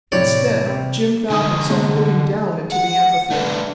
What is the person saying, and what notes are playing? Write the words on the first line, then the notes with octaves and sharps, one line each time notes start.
Instead, Jim found himself looking down into the amphitheatre.
A2 C3 C#5 D5
C3 G3
D3 D#4 D#5 G#5 D#6
G#3
F#5
A3 D4 B4